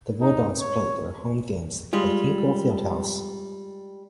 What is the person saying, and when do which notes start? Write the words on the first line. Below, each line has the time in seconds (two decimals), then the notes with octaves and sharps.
The Bulldogs played their home games at Hinkle Fieldhouse.
0.21 D#4
0.60 C#5
1.93 G3 G#3 F4